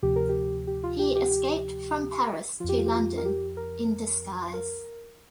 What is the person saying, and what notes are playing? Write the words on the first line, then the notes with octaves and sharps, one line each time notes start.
He escaped from Paris to London, in disguise.
D2 C3 F3 G4
A#4
G4
G4
F4
G4
G4
F2 F3 F4 G4
F4
G4
F4
A#4
G4
A#4
A#4